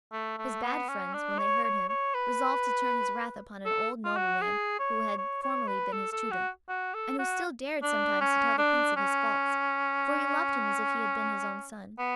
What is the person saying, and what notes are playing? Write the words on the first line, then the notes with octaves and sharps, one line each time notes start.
His bad friends, when they heard him, resolved to turn his wrath upon an old nobleman who had formerly been his tutor; and who still dared sometimes to tell the Prince of his faults, for he loved him as if he had been his own son.
A3
A3
B3
C#4
D4
C#5
C#5
C#5
B4
A4
F4
F#4
G#4
C#5
C#5
C#5
B4
A4
A4
F#4
F#4
A4
F#4
D4
C#4
D4
C#4
B3